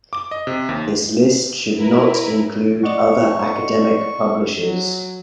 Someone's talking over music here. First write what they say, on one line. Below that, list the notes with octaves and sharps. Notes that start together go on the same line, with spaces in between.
This list should not include other academic publishers.
D6
D#5
C3
D#2
E4 A#4 B4
D5 D#5 F#5 C#6
F#3